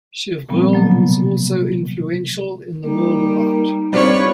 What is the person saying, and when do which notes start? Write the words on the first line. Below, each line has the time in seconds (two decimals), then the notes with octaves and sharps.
Chevreul was also influential in the world of art.
0.49 A#2 F3 G3 B3 C4
0.73 B2 D3 F#3 A#3
0.87 C3 B3
2.85 G3 A#3 D#4
3.93 G3 C4 D4 F4 B4 C#5